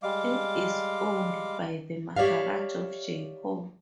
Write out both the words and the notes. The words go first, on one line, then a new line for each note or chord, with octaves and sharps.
It is owned by the Maharaja of Jeypore.
G3 G#3 F5 D6
G4 C#5 D5 E5 F5